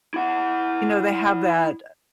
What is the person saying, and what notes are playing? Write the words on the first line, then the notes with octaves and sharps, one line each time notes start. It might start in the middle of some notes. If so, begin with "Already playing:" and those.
you know, they have that, uh,
E4 F#5